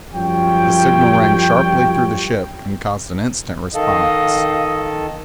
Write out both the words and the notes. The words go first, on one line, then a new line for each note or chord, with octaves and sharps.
The signal rang sharply through the ship, and caused an instant response.
F#2 F3 G3 F4 C#5 G5
D#3 A4 D#5 F5